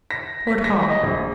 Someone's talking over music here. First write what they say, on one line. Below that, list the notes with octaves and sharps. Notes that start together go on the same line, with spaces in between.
Fort Hall.
A#6
B6
A#6
D#5
A#1